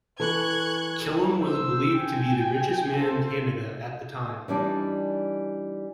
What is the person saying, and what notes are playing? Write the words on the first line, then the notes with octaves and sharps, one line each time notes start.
Killam was believed to be the richest man in Canada at the time.
E3 A4 C#6 F#6 G#6
C5 E6
G5 G#5
A4 C5
E3 G3 D4 D#4